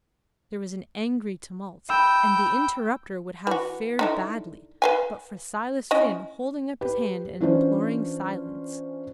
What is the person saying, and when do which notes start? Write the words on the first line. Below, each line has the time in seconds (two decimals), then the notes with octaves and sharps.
There was an angry tumult, and the interrupter would have fared badly, but for Silas Finn holding up his hand and imploring silence.
1.90 G5 B5 E6 E7
3.47 E3 F#4
3.99 D3 D#4 E4
4.82 B4 F5 G#5
5.91 C#4 E4 D#5
6.81 G4 B4
7.41 E3 C#4 D4 F4 C5